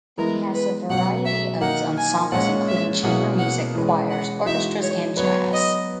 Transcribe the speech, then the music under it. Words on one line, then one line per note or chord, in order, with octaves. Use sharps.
The has a variety of ensembles including chamber music, choirs, orchestras and jazz.
E3 G#3 B3 E4 A#4
B4
B2 F#3 C#4 F#5
E5
D#3 A#3 D#4 A#4 F#5
G#5
A#2 G#3 C#4 F#5
E5
B2 A#3 C#4 E4 G#4 F#5
F#5
E3 G#3 C#4 G#4 B4
F#5
E3 G#3 D#4 F#4 E5
C#5
F#3 B3 F#4 B4 C#5
D#5